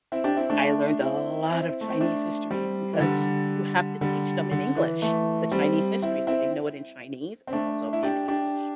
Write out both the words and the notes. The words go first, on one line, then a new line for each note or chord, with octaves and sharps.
I learned a lot of Chinese history because you have to teach them in English. The Chinese history, so they know it in Chinese and also in English.
C4 E4
D4 G4
C4 E4
A3 D4
C4 E4
C4 E4
A3
C4
A3 D4
G3 C4
E3
D3 G3
D3 G3
D3
E3
E3 A3
G3 C4
C4 E4
C4 E4
C4
A3 D4
E4
D4 G4
D4 G4